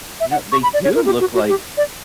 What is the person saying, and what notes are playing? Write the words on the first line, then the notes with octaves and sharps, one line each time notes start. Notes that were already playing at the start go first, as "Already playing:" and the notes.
you know, they do look like
E5
F#5
C#6
B5
D5
C#5
A#4
G4
F#4
F#4
G4
D5